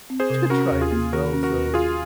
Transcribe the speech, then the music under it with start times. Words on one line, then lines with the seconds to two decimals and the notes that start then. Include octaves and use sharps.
to try it as well so,
0.10 C4
0.20 G#4 C5
0.30 C3
0.50 C#4 F#4 A#4
0.71 D#2
0.81 F4 G#4
0.91 A#3
1.13 D#3 F#4 A#4
1.33 C#4
1.43 F#4 A#4
1.53 D#2
1.74 F4 F#4 G#4